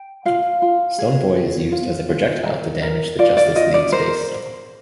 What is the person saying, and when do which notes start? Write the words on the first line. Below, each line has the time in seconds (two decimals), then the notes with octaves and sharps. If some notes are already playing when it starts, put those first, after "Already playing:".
Stone Boy is used as a projectile to damage the Justice League's base.
Already playing: G5
0.25 F4 F5
0.62 F4
0.98 G#4
1.36 G#4
1.72 F4
2.09 F4
2.46 A#4
2.82 A#4
3.19 F4 D5
3.37 D5
3.55 F4 D#5
3.74 D5
3.92 A#4 C5